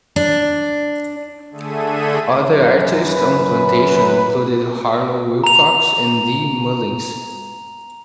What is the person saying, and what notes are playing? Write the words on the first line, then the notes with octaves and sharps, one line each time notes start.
Other artists on Plantation included Harlow Wilcox and Dee Mullins.
D4
D3 A3 G#4 A4 E5 D#7
F#2
B4
A#5 F7